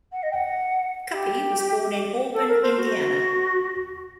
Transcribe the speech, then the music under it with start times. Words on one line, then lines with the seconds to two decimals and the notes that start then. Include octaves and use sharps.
Cuppy was born in Auburn, Indiana.
0.12 F#5
0.22 D#5
0.31 G5
0.34 F#5
1.11 G4
2.32 A4
2.47 A#4
2.62 C5
2.76 F#4